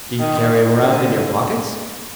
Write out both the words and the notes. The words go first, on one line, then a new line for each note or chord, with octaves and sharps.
"Do you carry 'em round in your pockets?"
D#3
D3